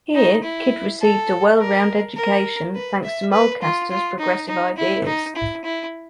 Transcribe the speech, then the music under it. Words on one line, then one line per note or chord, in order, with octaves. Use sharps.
Here, Kyd received a well-rounded education, thanks to Mulcaster's progressive ideas.
D#4
E4
A4
A#4
A#4
B4
E5
B4
F4
F4
D#4
D#4
E4
D#4
E4
E4